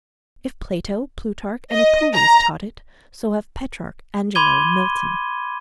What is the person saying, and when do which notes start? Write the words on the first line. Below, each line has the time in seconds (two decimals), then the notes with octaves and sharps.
If Plato, Plutarch and Apuleius taught it, so have Petrarch, Angelo and Milton.
1.72 D#5
2.15 A#5
4.35 B5 C6 D6 G#6 D#7 G7